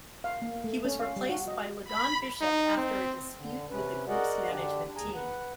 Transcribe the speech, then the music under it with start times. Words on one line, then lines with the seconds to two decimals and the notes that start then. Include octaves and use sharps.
He was replaced by LeDon Bishop after a dispute with the group's management team.
0.24 F5
0.42 A#3
0.64 A3
0.85 C#4
0.99 F5
1.16 G3
1.29 F#4
1.48 D#5
1.85 B5
2.41 D#4
2.77 C4
3.35 D3
3.70 C3 C#4 B4
4.08 F#4 G#4 A#4 D5 D#5 F#5
4.50 D3 D4 G4
4.96 D#2 G#4 G#5 A#5
5.15 B4 F#5